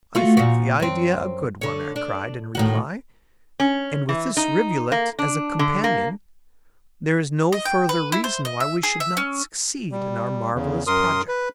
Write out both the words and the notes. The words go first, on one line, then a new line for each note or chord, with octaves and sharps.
"I think the idea a good one," I cried in reply, "and with this rivulet as a companion, there is no further reason why we should not succeed in our marvelous project."
A3 F4 F#4
A#2 F3 F#4
F#2 C4
D3 C#5
D4
A2 D#3 F#4
C#4
E3
D#4
A#3
D4
D3
A#3
D#5
G5
B4
E4
C5
D#5
E5
G#4
E5
C#4
G3
E2 C#3
F#2 A#4 C6 D#6
B4